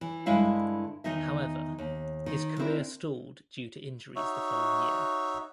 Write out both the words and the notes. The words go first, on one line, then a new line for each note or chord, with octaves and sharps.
However, his career stalled due to injuries the following year.
E3
G2 D3 G#3 E4 E5 F5
E2 D#3 D#4 D#5 E5
D#2
D#3
C4 D4 E4 A#4
D#4 F#4 C#5 E5